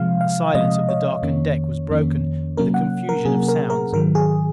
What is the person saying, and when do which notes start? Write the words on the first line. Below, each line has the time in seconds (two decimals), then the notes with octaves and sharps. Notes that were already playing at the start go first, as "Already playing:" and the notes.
The silence of the darkened deck was broken with a confusion of sounds.
Already playing: C3 F3 G#3 F5
0.21 F5
0.54 C3 F3 G#3 D#5
0.89 C#5
1.22 F2 D#3 A#3 C#4
1.90 F2 D#3 A#3 C#4
2.57 C3 F#3 A#3 C#4 A#4
2.74 F#5
3.09 A#4
3.25 C3 F#3 A#3 C#4 G#4
3.48 A#4
3.70 A#4
3.93 G#2 D#3 F#3 A#4
4.15 G#4